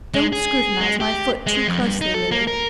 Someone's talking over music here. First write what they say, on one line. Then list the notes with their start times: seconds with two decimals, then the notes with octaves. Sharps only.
"Don't scrutinize my foot too closely, Lily."
0.14 G#3
0.33 G#4
0.81 G#3
1.00 G4
1.47 G#3
1.68 F2
1.81 G2
2.01 D#4
2.14 A4
2.31 A#3
2.48 A#4